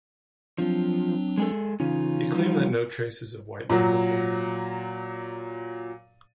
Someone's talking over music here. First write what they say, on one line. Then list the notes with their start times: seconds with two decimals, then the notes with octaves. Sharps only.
He claimed that no traces of white men before him.
0.58 F3 F#3 C4 D4
1.38 G#3 G#4 A4
1.80 C#3 E3 C#4 D#4 F4
2.35 F3 G3
3.70 A#2 F#3